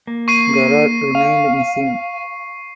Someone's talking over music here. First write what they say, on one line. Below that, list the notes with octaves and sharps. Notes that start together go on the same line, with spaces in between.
Garat remained missing.
A#3
C#6 C7 D#7
F5